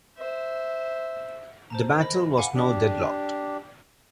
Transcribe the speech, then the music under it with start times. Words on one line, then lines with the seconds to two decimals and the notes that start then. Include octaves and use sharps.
The battle was now deadlocked.
0.18 C5 E5
1.70 C5 A5 A#5
2.00 A#4 C5 D#5 B5 A#6
2.13 D#5
2.36 F5 F#5 G#5 B5 D6
2.55 D4 G4